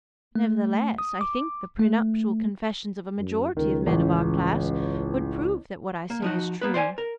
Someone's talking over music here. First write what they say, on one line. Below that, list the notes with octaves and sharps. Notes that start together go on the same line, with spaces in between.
"Nevertheless, I think the pre-nuptial confessions of a majority of men of our class, would prove that what I say is true."
A3
D#6
D6
A3
F#2
C#2 D#3
A1
A#3
F3 D#4 F#4
A#3 B3 B4
C5 D5 F#5 G#5
A#4